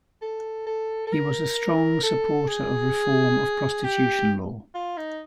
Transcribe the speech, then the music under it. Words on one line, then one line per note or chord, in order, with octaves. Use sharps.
He was a strong supporter of reform of prostitution law.
A4
A4
A4
A#4
A4
G#4
G4
F4
D#4